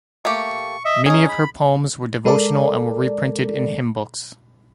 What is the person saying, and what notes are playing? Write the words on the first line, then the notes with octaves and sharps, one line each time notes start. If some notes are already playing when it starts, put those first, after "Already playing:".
Many of her poems were devotional and were reprinted in hymn books.
A3 A#3 G4 C#6
D#5 E5
C#4 D#4 G#4
B5
G#3 A4 A#4 D5